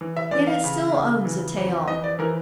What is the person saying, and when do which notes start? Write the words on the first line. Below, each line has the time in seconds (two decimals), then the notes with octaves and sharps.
Yet it still owns a tail.
0.01 E3
0.17 E5
0.31 E3 D5
0.47 F5
0.64 C#3
0.94 C#3
1.25 E3
1.57 F2
1.87 E3 D#5
2.04 D5
2.19 E3 A#4